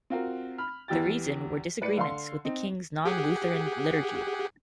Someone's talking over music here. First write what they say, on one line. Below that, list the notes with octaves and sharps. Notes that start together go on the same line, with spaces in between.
The reason were disagreements with the King's non-Lutheran liturgy.
C4 F4 F#4 A#4
B5 F6
E2 E3 G4 G5 A6
A2 B4 D5 B5 C#7
D3 F5 C6
C4 D#4
G4 G#4 F#5